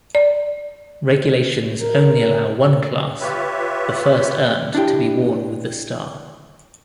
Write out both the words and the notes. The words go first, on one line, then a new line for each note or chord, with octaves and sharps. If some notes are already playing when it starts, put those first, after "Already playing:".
Regulations only allow one clasp, the first earned, to be worn with the Star.
D5
A#4
F4 G4 B4 C#5 E5
D4 E4 G4